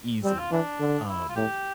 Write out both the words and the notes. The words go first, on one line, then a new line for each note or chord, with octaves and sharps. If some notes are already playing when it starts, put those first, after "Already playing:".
easily, um,
G3 C4
F4
E3 D4
D3
E4
F4
A2 G4